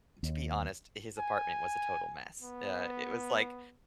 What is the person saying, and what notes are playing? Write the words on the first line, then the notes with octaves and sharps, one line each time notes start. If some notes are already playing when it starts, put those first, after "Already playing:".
to be honest, his apartment was a total mess. Uh, it was like
D#2
G#5
B3